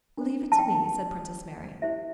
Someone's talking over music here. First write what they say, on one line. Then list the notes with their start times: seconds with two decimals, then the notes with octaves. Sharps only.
"Leave it to me," said Princess Mary.
0.17 D4 C5
0.52 A5
0.59 G5
1.82 E4 G4 C5 E5